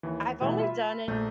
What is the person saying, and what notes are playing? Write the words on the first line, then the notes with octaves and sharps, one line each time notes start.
I've only done it
D#2 E3
B2 E3 G3 A3 E4
F4 E5 B5
A#1 A3 G6